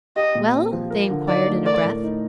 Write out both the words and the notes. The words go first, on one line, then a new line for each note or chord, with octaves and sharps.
"Well?" they inquired in a breath.
G4 D#5
A#2
C4
F3
A#4
D3
D#4 D5
A3
A#4 D5
A2
D#4